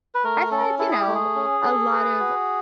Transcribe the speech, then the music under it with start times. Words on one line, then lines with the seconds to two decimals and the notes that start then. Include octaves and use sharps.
I've had, you know, a lot of
0.15 B4
0.24 A3 A#4
0.51 C#4 A4
0.79 E4 A4
0.91 G#4
1.02 G4
1.07 A3
1.15 G#4
1.35 C#4
1.63 A4
1.91 B4
2.19 F#4